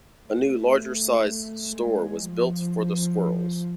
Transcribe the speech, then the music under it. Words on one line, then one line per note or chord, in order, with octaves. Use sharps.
A new larger sized store was built for the Squirrels.
A3
G#3
F3